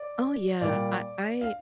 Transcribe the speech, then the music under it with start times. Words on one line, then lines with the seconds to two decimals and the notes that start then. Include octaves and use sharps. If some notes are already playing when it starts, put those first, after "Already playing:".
Oh, yeah, I I
Already playing: D5
0.61 A#2 G3 D5
1.41 F5